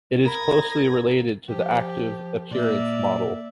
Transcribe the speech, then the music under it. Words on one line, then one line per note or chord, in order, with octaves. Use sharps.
It is closely related to the active appearance model.
A#4 B5 D#6 G#6 A#6
F3 G4
A#2 A#3 D5 E5